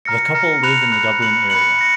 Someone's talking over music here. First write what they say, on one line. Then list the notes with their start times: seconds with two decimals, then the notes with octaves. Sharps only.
The couple live in the Dublin area.
0.05 A#5 F6 A#6 C#7
0.35 A#5 F6 A#6 C#7
0.63 B5 F#6 C#7 F7
0.92 B5 F#6 C#7 F7
1.21 B5 F#6 C#7 F#7
1.50 B5 F#6 C#7 F#7
1.79 A#6 C#7